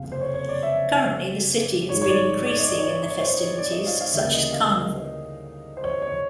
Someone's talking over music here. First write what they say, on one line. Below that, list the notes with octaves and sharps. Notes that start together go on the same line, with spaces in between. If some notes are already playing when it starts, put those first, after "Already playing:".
Currently, the city has been increasing in the festivities such as Carnival.
Already playing: F#1 F2 C3 F5
C5
C#5
C#5
D5
E5
A1 G#2 D#3 G#3 C#5
C#5
D5
D5
D#5
D5
C#5
D5
C#5
C5
C#5
D5
D#5
F5
F5
D2 C#3 E3 G3 A#3 E5
D#5
F5
C5
C#5
C#5